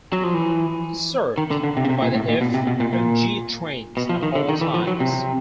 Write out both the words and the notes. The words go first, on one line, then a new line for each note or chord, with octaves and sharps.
It is served by the F and G trains at all times.
F#3
F3
E3
D#3
D3
D3
C3
C#3
C3
A#2
A2
A#2
B2
C3
B2
A#2
A#2
B2
F3
D#3
D3
D#3
E3
F3
F#3
C3